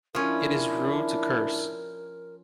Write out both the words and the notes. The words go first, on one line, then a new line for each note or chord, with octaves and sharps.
It is rude to curse.
F3 C#4 D4 E4 A#4